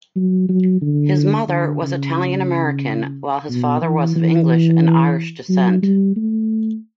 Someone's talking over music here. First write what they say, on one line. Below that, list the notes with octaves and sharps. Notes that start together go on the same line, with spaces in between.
His mother was Italian American, while his father was of English and Irish descent.
F#3
F#3
D3
D3
C#3
B2
E3
E3
F#3
G3
A3